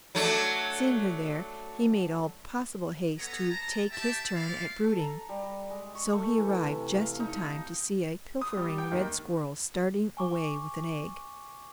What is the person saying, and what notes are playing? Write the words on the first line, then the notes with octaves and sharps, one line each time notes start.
Seeing her there, he made all possible haste to take his turn at brooding, so he arrived just in time to see a pilfering red squirrel starting away with an egg.
F#3 A3 D4
B3 A4 C#5 G#5 A#5
A5 A#5
G4 E5 G5 A5
E4 C5 D5 F5
A4
A#5
G3
G#3
C#6
A3
E3
C3
F5
D#4
D#6
G3
G5
D#2
G#5 C#6 D6